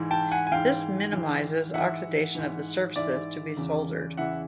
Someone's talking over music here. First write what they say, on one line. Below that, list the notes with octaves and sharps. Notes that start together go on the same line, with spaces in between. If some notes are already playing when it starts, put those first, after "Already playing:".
This minimizes oxidation of the surfaces to be soldered.
Already playing: G#2 E3
G5 A5
F#5 G#5
G#5
G#2 E3 F5 G5
G#2 E3
G#2 E3 E5 F#5
G#2 E3
G#2 E3 D5 E5
E2 C#3 E3
E2 C#3 E3 E5 F#5